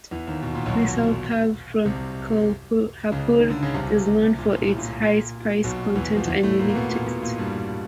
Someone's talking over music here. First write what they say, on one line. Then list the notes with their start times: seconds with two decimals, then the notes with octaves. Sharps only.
Misal pav from "Kolhapur" is known for its high spice content and unique taste.
0.11 E2 E3
0.27 D#2 D#3
0.43 B2
0.54 A#2
0.66 B1 B2
1.85 C2 C3
3.12 C#2 C#3
3.39 D#3
3.50 D3
3.63 C#3
3.74 C2 C3
4.38 A#2
4.54 A#2
4.69 A2
4.78 A#2
4.86 A2
5.02 A#2
5.64 B1 B2
5.95 E2 E3
6.16 F3
6.27 E2 E3
6.43 A2 A3
6.59 A#2 A#3
6.69 A#3
6.75 B2 B3
6.91 A#2 A#3
7.06 B2 B3
7.22 A#2 A#3
7.38 G2 G3